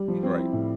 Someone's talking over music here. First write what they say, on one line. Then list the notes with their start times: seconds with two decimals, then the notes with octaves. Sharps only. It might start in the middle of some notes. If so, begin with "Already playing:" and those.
M right.
Already playing: G3
0.08 F3
0.23 C4
0.38 E4
0.53 A2